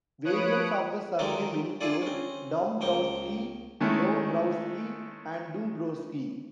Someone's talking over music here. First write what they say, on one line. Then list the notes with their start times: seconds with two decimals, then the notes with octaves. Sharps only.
Variants of the surname include Dombrowski, Dobrowski, and Dobrosky.
0.24 F3 B4 C#5 D#6 F#6 D7
1.19 D3 D#3 F#3 G#3 D4 G4
1.81 E4 F4 G#4 A4 D5
2.02 C4 C#4
2.81 C#2 A#3 G5 C#6
3.80 D#3 G#3 A3 C#4 E4